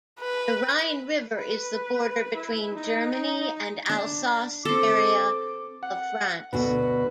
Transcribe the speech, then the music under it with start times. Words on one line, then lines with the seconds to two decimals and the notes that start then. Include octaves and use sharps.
The Rhine River is the border between Germany and Alsace area of France.
0.20 B4
1.38 B4
2.36 E4
2.75 D#4
3.89 D4
4.65 C4 A4 D6
5.83 F#5
6.53 D2 B2 F#4 B4